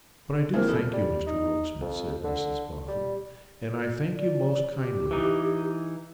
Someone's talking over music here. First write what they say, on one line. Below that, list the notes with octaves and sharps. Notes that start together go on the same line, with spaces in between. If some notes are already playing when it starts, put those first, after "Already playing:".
'But I do thank you, Mr Rokesmith,' said Mrs Boffin, 'and I thank you most kindly.
D#2 E3 A#3 C4 A#4
E2 E4 A4
G3
D#4
F2
D3
G3
D5
G4
E3 D#4